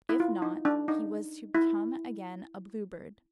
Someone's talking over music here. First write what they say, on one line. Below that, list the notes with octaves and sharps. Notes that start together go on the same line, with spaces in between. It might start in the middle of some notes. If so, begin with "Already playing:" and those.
If not, he was to become again a Blue Bird.
E4
F4
D#4
D4
D#4
E4